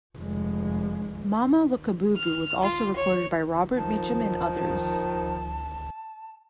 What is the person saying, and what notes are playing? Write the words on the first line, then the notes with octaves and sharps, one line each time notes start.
"Mama Look a Boo Boo" was also recorded by Robert Mitchum and others.
F1 G#3
F6
F4
C#5
D#3 F3 A5